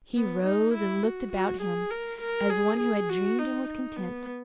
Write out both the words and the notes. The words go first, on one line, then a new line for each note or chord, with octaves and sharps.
He rose and looked about him, as one who had dreamed and was content.
B3
D#4
E4
F#4
F#4
G#4
A#4
A#4
G#4
G#4
F#4
D#4
D#4
B3